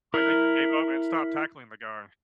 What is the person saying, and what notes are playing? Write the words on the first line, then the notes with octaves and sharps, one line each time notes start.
Like, they just gave up and stopped tackling the guy.
E4 A#4